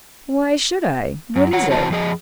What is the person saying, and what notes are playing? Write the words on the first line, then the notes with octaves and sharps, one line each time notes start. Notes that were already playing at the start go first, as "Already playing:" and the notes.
"Why should I? What is it?"
F#2
F4 C#5 F#5
C3 E3 F#4 C5 A5
F2 F3 G#4 D#5